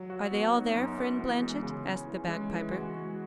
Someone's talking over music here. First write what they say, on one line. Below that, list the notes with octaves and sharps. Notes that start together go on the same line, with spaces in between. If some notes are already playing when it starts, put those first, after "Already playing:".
'Are they all there, friend Blanchet?' asked the bagpiper.
Already playing: F#3
F#4
B3
D#4
F#2
B3
E3
G#3
C#3
C#4
E3
G#3
E3
F#4
G#3